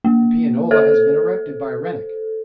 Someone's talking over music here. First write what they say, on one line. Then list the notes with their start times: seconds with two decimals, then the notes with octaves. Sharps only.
The pianola has been erected by Rennick.
0.04 A#3
0.71 A4 C5